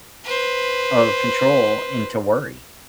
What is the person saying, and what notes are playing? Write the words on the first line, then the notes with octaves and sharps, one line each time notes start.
of control into worry?
B4 C5